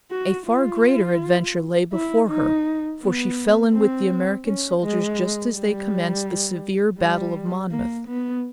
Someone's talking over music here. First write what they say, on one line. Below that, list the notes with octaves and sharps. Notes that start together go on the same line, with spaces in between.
A far greater adventure lay before her, for she fell in with the American soldiers just as they commenced the severe battle of Monmouth.
F#4
F4
E4
D#4
B3
C4
C#4
G#3
G3
G3
A#3
B3